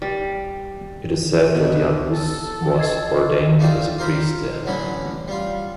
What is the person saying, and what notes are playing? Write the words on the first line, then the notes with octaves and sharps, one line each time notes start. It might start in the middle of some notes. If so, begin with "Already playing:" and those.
It is said that Jan Hus was ordained as a priest there.
G3
B2
A4
D#5 G#6 C7
A3 D#4 F4 D5 G5
F4 A#4 C5 B5
A1 A2 D3 F#3 C#4 B5
G3 F4